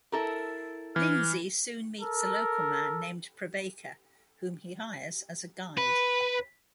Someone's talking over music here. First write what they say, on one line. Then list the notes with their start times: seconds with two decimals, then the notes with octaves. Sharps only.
Lindsay soon meets a local man named Prabaker whom he hires as a guide.
0.12 E4 A4 A#4
0.96 E3 F6
2.01 A4 A#4
5.78 B4